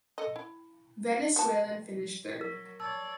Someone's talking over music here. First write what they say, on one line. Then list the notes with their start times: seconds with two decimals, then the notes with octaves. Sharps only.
Venezuelan finished third.
0.18 A4 D#5
0.36 E4
1.36 G3 B3 A5
2.41 F#3 A#4 B6
2.80 C#5 D5 A5 E6